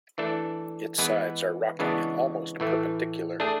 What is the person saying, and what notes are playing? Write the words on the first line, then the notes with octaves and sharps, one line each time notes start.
Its sides are rocky and almost perpendicular.
E3 A3 D4 A4
E3 G#3 B3 E4 B4
C#3 E3 G#3 B3 D4
A2 E3 A3
A3 D4 G#4